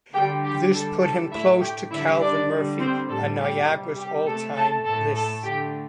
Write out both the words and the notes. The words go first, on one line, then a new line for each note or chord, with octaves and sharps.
This put him close to Calvin Murphy on Niagara's all time lists.
D3 G3 G4 G5
G4
D3 G3 A4
A4
A2 A3 E4 E5
G4 G5
D3 G3 E4 E5
D4 D5
D3 G3
C4 C5
A2 G3 A4
G4
C3 G3
G4
C3 A3 A4
A4 A5
A2 A3 A4 A5
A4 A5
D3 A3 G4 G5